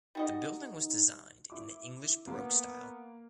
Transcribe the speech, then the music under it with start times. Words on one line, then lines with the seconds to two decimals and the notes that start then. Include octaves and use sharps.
The building was designed in the English Baroque style.
0.15 G3 D#4 F#4 D#5
1.50 E4 D6
2.27 A#3 B3